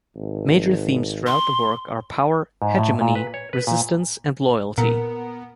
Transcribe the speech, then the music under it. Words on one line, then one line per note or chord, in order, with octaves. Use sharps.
Major themes throughout the work are power, hegemony, resistance and loyalty.
G#1
C6
G#2
A2
A#2
B4
C#5
B4
A#2
A#2 B3 A#4